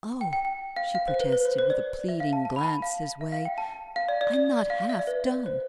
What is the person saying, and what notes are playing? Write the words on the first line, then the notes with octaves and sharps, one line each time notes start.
"Oh!" she protested, with a pleading glance his way, "I'm not half done."
G5
G5
G5
F5
F5
C5
B4
B4
C5
C5
D5
E5
F5
A5
A5
B5
A5
F5
E5
F5
G5
A5
F5
D5
D5
D5
D5
F5
F5
E5
D5
B4
C5